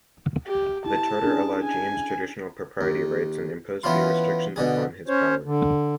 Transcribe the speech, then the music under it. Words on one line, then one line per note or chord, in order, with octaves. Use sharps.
The charter allowed James traditional propriety rights and imposed few restrictions upon his powers.
G4
E4 A5
C#4 D4 G#4
G#5
D#2
E3 B3 C#4 E4 F4 C6
B2 D3 G#4
C#4 C5 C#5
D3